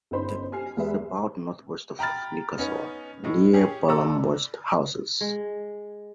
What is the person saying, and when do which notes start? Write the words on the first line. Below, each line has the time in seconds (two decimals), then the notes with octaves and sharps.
The village is about north-west of Newcastle, near Bolam West Houses.
0.11 G1 C#4 D#4 C5 B5 C6
0.52 G4 G#5 F6 C7
0.77 E2 G#3 G4 B4 E5
1.99 G5 A#5 B5 F6 A6
2.58 B3 C#4 D#4
3.24 A2 D#4
3.53 C#4 G4 G#4
3.89 A4 D5 A#5 E6
5.21 G#3